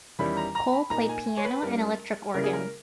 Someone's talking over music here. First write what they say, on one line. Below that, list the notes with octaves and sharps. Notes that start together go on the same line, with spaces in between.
Cole played piano and electric organ.
E2 D#3 G3 C#4 E4 B5
A#5
A#5
B5
A#2 A#3 D#4 A#5
G#5
G#5
C#5
B4
G2 G3 C#4 E4 A#4
C#3 G3 A#3 C#4 E4 A#4
G#4
A#4